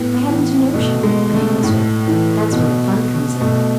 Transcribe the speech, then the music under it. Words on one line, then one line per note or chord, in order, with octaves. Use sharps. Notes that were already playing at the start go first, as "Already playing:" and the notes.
'I haven't a notion,' I answered; 'that's where the fun comes in.
Already playing: A2 B3
E3
B2 A3
G#3
A3
A2
E3
B2
B2 A3